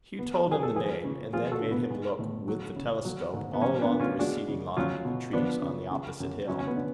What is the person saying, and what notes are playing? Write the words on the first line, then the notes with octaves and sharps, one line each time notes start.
Hugh told him the name; and then made him look with the telescope all along the receding line to the trees on the opposite hill.
B3
F#3 G#4
A4
F3 G#4 B4
C#3
F3 F4 G#4
F#4 A4
D3
B3
G#3
A2
F#3
C#3
F#3
G#2
B3
F3 C#4
B3 D4
D3
C#4 F4
G#3 D4 F#4
C#3
F#3 C#4 F4
B2
F3 B3 D4
C#3
C#3
F#2
F#3 C#4
C#4
B3
D3